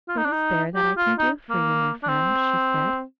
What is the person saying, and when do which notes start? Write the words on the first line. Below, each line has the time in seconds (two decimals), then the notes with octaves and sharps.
"What is there that I can do for you, my friend?" she said.
0.08 F4
0.17 D#4
0.25 D4
0.33 D#4
0.75 G4
0.97 F4
1.19 D#4
1.50 A#3
2.03 D4
2.08 C4